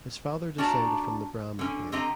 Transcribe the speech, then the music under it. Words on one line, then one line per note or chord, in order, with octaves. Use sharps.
His father descended from the Brahmin here.
C#4 D4 F#4 D5 A5 A#5
D3 C#4
D3 C4 G4 D#5 A#5